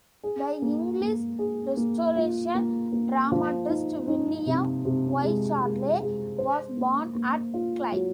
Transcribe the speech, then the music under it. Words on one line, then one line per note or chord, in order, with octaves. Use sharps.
The English Restoration dramatist William Wycherley was born at Clive.
G#4
A#3
A#3
G#4
A#3
F4
A#3
A#3
F3
D#4
D#4
C3
C3
G#3
G#3
G#3
C5
A#3
A#3
F4
F#3